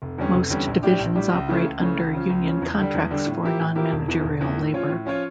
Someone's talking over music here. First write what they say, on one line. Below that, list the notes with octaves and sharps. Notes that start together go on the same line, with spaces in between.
Most divisions operate under union contracts for non-managerial labor.
F1
E2 D3 G3 C#4
F1
E2 D3 G3 C#4
A#1
A2 G3 D4 G4
A#1
A2 G3 D4 G4
C#2
C#3 E3 A3 C#4
C#2
C#3 E3 A3 C#4
C#2
C#3 F3 C#4
C#2
C#3 F3 C#4
E2
D3 G3 D4
E2
D3 G3 D4
A2
F3 A#3 E4 G4
A2
F3 A#3 E4 G4
E1
E2 E3
E1
E2 E3
A2
F3 C#4 F4 C#5
A2
F3 C#4 F4 C#5